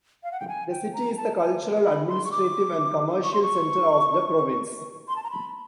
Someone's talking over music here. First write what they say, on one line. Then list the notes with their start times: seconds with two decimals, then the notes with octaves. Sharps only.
The city is the cultural, administrative and commercial center of the province.
0.24 F5
0.32 F#5
0.40 G5
0.48 G#5
0.71 G5
0.94 A#5
1.17 A5
1.40 G#5
1.86 B5
2.09 C6
2.25 C#6
2.32 D6
3.24 C#6
3.33 C6
3.42 C#6
5.08 C6
5.16 A5
5.24 A#5
5.31 B5